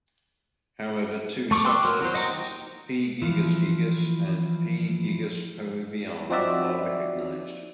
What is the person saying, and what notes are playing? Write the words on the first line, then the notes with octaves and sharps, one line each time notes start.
However two subspecies "P. gigas gigas" and "P. gigas peruviana" are recognised.
A3 C#6 D6
B4 G5 C6 D6 E6
F#3 A#4
F#3 C5
D#5 F#5 G5 A#5
E3 F3
F3 C4 D#4 F#4 D5 E5